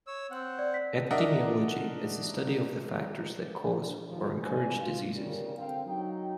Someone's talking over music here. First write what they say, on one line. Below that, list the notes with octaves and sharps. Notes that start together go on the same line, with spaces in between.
Epidemiology is the study of the factors that cause or encourage diseases.
C#5 E6
C4 F#5
D5
B6
D4 F#4 A#4 D#5 E5 F#5
D#2 F3
G2 E3 F3 G#5
F4
G1 A#2 C#3 G3 G4 A#4
D3 C4 F5 G5
F#3 D#4 G5